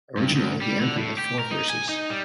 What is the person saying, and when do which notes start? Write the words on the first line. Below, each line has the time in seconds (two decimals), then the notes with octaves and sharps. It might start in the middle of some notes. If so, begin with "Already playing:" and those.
Originally, the anthem had four verses.
0.17 G2
0.35 D2
0.62 G3
0.81 D3
0.97 A2
1.18 G4
1.39 A#4
1.51 D#4
1.70 G#5
1.89 D#4
2.10 G3